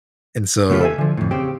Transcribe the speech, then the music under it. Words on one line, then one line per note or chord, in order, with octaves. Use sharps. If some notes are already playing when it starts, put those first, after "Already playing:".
And so
C#3 A3 B3 C4 F4 G4
A4 E5 G#5
D3 F3
F2 A2
C#3 C4 G4